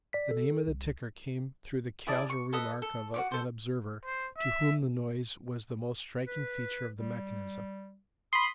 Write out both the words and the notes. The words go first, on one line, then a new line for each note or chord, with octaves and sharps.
The name of the "ticker" came through the casual remark of an observer to whom the noise was the most striking feature of the mechanism.
D5 B6
A4
C2
E4 G#4 D5 A5
C#6
A4 B4 D#5
A4
F#4 C#5 D6
A4 C5
C5
E5
B4
G3
B5 C6 D#6